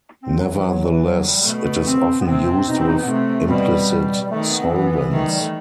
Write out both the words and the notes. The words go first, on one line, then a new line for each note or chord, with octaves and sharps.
Nevertheless, it is often used with implicit solvents.
C4
F#3
E3
F#3
E3
F#3
G3
G3
B2 A3
C4
B3
C3 C4
C4
B2 D#4
C4
D#4
B3
C3 A3
B2 G3
B2
G3
D#3 A3
B3
C4
E3 B3
B3
D#3 A3
G3
A3